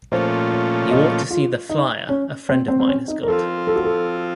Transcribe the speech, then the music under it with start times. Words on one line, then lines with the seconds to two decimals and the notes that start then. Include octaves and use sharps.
You ought to see the flier a friend of mine has got.
0.12 A#2 F3 A3 C#4 F4 C5
0.51 C#5
0.91 D#5
1.31 F4
1.70 D#4
2.09 C#4
2.49 C4
2.68 C4
2.80 C4
2.88 C#4
3.08 D#4
3.23 A#4
3.28 F3 C4 F4 A4
3.67 A4
3.76 F#4
3.85 A4